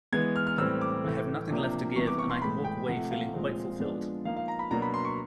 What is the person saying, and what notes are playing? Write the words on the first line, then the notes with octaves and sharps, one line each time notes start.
I have nothing left to give and I can walk away feeling quite fulfilled.
E3 G#3 B3 G#6
F6
F6
A2 E3 G3 C4 E6
D6
A2 E3 A3
C3 F3 A#3 D4
C3 E3 G3 B3 C#6
D6
C#6
C6
A2 E3 G#3 B5
G5
C3 F3 A3 F#5
F5
A#2 F3 G#3 C4
F3 G#3 B3 D4
F3 A#3 D#4 F5
F5
A#5
B5
B2 F#3 A#3 D4 A#5
B5
C6
C#6